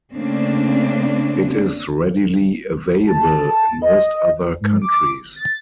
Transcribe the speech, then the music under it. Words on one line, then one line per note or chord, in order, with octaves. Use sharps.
It is readily available in most other countries.
C#3 A3 A#3 C4 D4
A5
D#5
G#2
D6
A6